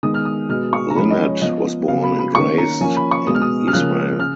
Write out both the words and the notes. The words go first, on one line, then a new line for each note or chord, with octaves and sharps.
Linet was born and raised in Israel.
D#3 G#3 B3 D#6
F6
D#6
B2 G#3 B3 F6
C#6
A#5
F3 G#3 C#4 B5
D#5
C#5
F3 B3 D#5
C#3 F#3 B3 F5
B5
B5
D#3 A#3 C#4 C#6
A#5
F3 A#3 C#4 G#5
B5
C#6
B2 G#3 B3 D#6
F6
D#6
F6
C#3 F3 A#3 C#4 F#6
C#3 F6